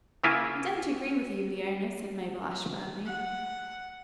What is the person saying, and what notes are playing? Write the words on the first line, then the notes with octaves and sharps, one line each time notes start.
"I don't agree with you, Leona," said Mabel Ashe firmly.
C#3 A#3 E4 F4 F5 G#5
F#5